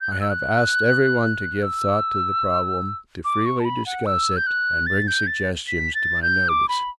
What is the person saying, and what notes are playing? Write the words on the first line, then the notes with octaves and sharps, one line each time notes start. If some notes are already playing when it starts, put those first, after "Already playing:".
I have asked everyone to give thought to the problem, to freely discuss it, and bring suggestions to my notice.
G6
F#6
E6
F#6
E6
D6
C#6
A5
B5
F#5
E6
G6
F#6
A6
G6
A6
B6
A6
G6
D6
B5